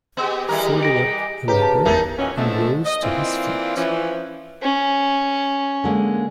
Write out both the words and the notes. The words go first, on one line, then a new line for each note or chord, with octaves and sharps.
He folded up the letter, and rose to his feet.
B3 G4 G#4 D#5
E3 G3 A#4
A#6 D7
C#3 G4 B4 A#5
A5
G1 E2 E3 D#4 A#4 A6
A#2 D#3 E3 F#3 C#4
D3 E3 F3 G#3 A3
D#5
E3 A#3 C4 D4 E4 F4
E3 F3 C#4
C#4
D3 G#3 A#3